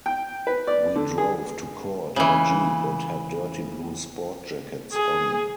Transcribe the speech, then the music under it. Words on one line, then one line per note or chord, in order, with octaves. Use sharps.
We drove to court in a Jeep and had dirty blue sport jackets on.
G5
B4
D5
D3
G#4
C#3 E3
G#4